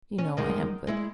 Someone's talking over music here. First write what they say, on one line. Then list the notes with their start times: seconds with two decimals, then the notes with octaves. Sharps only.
You know I am good.
0.18 C#4
0.37 F#2 D#3 G#3
0.87 G#3 E4